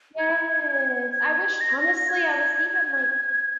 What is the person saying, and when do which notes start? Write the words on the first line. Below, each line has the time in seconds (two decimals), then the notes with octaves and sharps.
Yes. I wish honestly, I was even like,
0.19 G#6
1.13 G#6
1.60 A#6
2.08 G#6